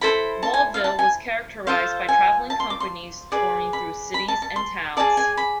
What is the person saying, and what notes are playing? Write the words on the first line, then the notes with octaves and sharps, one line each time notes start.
Vaudeville was characterized by traveling companies touring through cities and towns.
E4 A4 C5 B5
A5
G#5
F5
A5
G#5
F4 A4 C5 F5
G#5
A5
C6
D6
C6
G#4 B4 D5
B5
B5
A5
A5
C6
G#4 D5 A5
G#5
B5